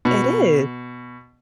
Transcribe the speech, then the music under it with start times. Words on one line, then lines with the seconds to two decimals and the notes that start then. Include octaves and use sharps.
It is.
0.05 B2